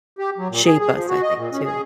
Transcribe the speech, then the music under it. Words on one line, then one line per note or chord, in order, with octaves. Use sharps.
shape us, I think, too.
G4
F#3
A#2
G#4
G#4
F3
F#4
D#5
A#2
C#4
G#4